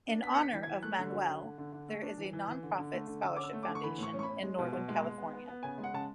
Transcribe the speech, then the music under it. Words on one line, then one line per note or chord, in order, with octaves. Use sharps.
In honor of Manuel, there is a non-profit scholarship foundation in Northern California.
D4
B3 B6
D4 C#7
B6
E3
E3 G#6
A3 F#6
D3
F#3
D3
D3
D3
D3
A3
D4
E3
E3
E3
D3
D3
A3
D3
D3 E6
C#4 D6
E6
A3
D6
D3
C#6
E3 B5
A2 C#6
C#4
C#6
B5
C#4
G#3
B2
B2
G#3
G#3
B3
B3
B3
C#3 G#5
G#3
F#5
C#3 A5